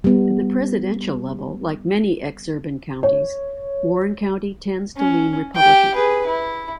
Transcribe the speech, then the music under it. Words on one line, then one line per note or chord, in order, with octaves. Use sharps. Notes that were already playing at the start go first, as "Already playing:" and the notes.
At the presidential level, like many exurban counties, Warren County tends to lean Republican.
G3 B3
C#5
C#4
G4 G5
G#4 B4
E4